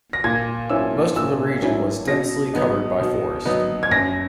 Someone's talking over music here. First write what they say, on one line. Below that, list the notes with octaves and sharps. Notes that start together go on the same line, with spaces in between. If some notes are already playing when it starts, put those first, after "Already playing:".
Most of the region was densely covered by forest.
A#6
A#2 G#6
F#3 C#4 E4 E6
A#2 E6
F#3 C#4 E4
B2 A#6
F#3 B3 D#4
B2
F#3 B3 D#4
G#6
F#2 A#6